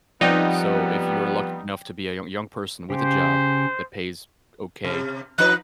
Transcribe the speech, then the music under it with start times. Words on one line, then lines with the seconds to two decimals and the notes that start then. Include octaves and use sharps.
So, if you're lucky enough to be a yo young person with a job that pays okay,
0.21 F3 G3 B3 C4 D#4 D5 G5
2.90 C#3 G4 C5
4.84 C3
5.38 F3 D#4 B4 F#6